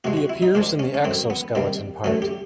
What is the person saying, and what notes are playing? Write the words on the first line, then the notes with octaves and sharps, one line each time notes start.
He appears in the "Exoskeleton" part.
C3 F3 G#3 F#4
F#4
E4
D#4
A#2 F3 G#3 D4
C#4
C#4
F#2 D3 F#3 C4
B3
C3 D#3 G3 A#3
F#2 D3 F#3 A3 C#4
G4